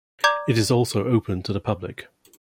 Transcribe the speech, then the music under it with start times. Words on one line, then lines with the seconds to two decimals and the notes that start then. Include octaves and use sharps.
It is also open to the public.
0.24 D5 A#5 D6 G6 G#6 F7